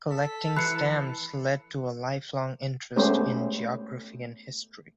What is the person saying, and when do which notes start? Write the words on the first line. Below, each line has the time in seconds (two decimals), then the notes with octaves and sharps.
Collecting stamps led to a lifelong interest in geography and history.
0.11 A4 B6
0.56 E3 B5 F#6 C7 C#7
2.96 G#3 A3 B3 C#4 G4 C5